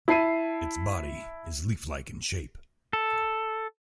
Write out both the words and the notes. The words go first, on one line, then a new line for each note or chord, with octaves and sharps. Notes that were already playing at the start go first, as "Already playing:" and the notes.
Its body is leaflike in shape.
E4 A5 C7 D#7
A4